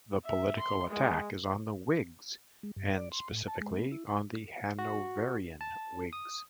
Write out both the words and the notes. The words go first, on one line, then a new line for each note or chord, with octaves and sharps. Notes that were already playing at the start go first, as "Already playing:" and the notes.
The political attack is on the Whigs, and specifically on the Hanoverian Whigs.
E5
C6
G#3
G#3
G2
D5
C6
A2
A5
G#3
B3
E4
F#4
A5
D#6